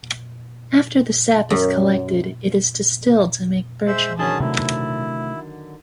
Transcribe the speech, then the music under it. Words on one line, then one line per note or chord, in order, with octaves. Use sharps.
After the sap is collected, it is distilled to make birch oil.
F#2
G#3 C5 E5
D3 D#3 F#3 C#4 G#4 A5
C3 A3 E4